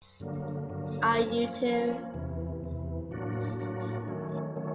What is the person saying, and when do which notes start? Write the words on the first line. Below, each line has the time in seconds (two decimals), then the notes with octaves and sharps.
Are you two?
0.20 G2 D3 F#3 A#3
0.69 G2 D3 F#3 A#3
1.17 F3 A#3 C#4
1.65 F3 A#3 C#4
2.14 E2 C3 E3
2.62 E2 C3 E3
3.11 A2 F#3 A#3 D4 F#4
3.59 A2 F#3 A#3 D4 F#4
4.08 D#3 F#3 A3 C#4
4.56 D#3 F#3 A3 C#4